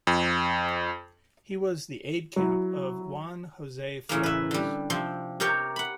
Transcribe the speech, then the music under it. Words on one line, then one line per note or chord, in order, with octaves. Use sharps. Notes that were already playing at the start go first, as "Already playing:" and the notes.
He was the aide-camp of Juan Jose Flores.
F2
F#3 E4
A2 C#3 E3 A#3
B4 E5
D3 G3
C3 F3 C4
C3 G4 A#4 C#5 G5
F#5 B5